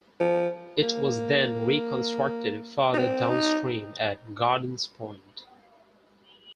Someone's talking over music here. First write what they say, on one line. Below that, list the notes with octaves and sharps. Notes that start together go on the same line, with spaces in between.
It was then reconstructed further downstream at Gardens Point.
F3
A#3
D#4
C4
D#4